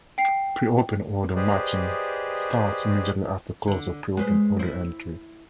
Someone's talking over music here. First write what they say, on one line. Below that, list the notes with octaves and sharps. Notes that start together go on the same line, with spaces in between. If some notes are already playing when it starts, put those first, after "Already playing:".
Pre-open order matching starts immediately after close of pre-open order entry.
G5 C7
G4 G#4 B4 C5 D5 D#5
D3
G#3 B4 C5
E4 C5